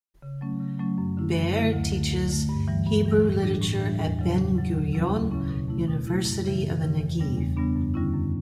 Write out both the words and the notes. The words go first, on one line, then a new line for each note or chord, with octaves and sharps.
Be'er teaches Hebrew literature at Ben-Gurion University of the Negev.
C#3
F#3 A3 C#4
C#3
F#3 A3 C#4
F#2
D3 A3 E4
F#2
D3 A3 E4
D2
D3 A3
D2
D3 A3
G2
E3 G3
G2
E3 G3
A2
E3 G3 D4
A2
E3 G3 D4
E2
C#3 F#3
E2
C#3 F#3
D2
C#3 F#3 C#4 E4
D2
C#3 F#3 C#4 E4
B2
A3 E4
B2
A3 E4
F#2
C#3 E3
F#2
C#3 E3
E2
C#3 G3 B3 D4
E2
C#3 G3 B3 D4
F#2
D3 G3 C#4 E4
F#2